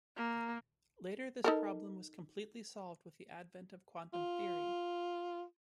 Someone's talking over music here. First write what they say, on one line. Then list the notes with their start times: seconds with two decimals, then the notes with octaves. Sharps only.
Later this problem was completely solved with the advent of quantum theory.
0.16 A#3
1.44 D#4 A4 A#4
4.14 F4